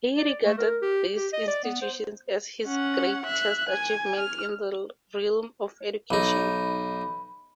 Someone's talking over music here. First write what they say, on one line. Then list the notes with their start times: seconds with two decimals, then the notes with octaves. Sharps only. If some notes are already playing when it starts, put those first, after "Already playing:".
He regarded these institutions as his greatest achievement in the realm of education.
0.17 D5
0.45 A3
0.58 A#4
0.82 G4
1.16 G4
1.33 D#5
1.47 D5
1.64 B3
1.82 C5
2.65 C#4 F#5
3.26 E5 F#6
3.69 G#5
4.17 F6
6.11 B1 D#4 B5